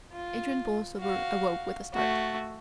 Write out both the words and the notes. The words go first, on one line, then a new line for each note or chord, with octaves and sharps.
Adrian Borlsover awoke with a start.
F4
F#4 F5
A3 F#4